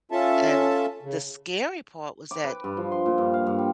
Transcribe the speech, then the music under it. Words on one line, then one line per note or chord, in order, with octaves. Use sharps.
and the scary part was that,
C#4 F4 A4 E5 A5
C#3
D6
B4
G2
F3
C6
A#2
G2
F5
G2
G3